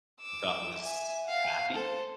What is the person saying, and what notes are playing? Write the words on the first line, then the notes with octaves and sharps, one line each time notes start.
you thought was happy?
D6 E6
E5 G#5
F5 F#5
A4 C5